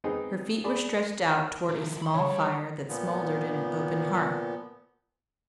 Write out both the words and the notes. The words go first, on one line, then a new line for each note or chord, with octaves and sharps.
Her feet were stretched out toward a small fire that smouldered in an open hearth.
B3 C4 D#4 G#4
G#4 D5 B5
D#3 F3
B5 C6
C#3 C#5
G3
A#2 F3 B3